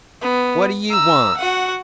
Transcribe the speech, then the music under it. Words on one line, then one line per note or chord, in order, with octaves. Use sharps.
"What do you want?"
B3
A#5 E6
F#4 F#5